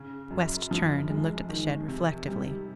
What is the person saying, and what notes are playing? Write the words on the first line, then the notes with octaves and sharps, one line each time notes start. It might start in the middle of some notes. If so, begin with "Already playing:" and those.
West turned and looked at the shed reflectively.
Already playing: C#3
F#2
F3
G#3
D#3
C3
G3